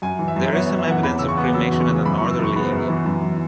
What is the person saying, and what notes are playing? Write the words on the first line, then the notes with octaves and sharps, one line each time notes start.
There is some evidence of cremation in the northerly area.
F#2 G#5
E3
E5
F#2
E5
B3 C#5
C#5
F#2
E5
E3 F#5
E2 B5
C#3 E6
C#6
B3
F#3 E6
E2
C#6
C#3
F#2 B5
C#6
E3
E6
F#2 C#6
B3 B5
F#2
E3
F#2
E3